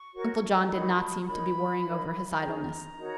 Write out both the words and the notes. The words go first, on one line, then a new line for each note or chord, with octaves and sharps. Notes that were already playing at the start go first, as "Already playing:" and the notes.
Uncle John did not seem to be worrying over his idleness.
Already playing: C#6
F#4 A#4 C#5
D#4 F#4 A#4 C#5 B5
C#6
D#4 A#4 C#5 B5
D#4 A#4 C#5
B5
C#4 G#4 C#5 A#5
D#4 F#4 A#4 C#5